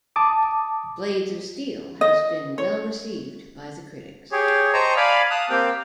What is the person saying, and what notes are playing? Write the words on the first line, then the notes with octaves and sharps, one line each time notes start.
Blades of Steel has been well received by critics.
A5 D6 D#6
D#5
C#5
G4 G#4 C#5
C5 D#5 G5 A5 A#5 C#6
D5 F5 G#5 B5
F5 A5 D#6 F#6
A#3 C4 G4 F5 G5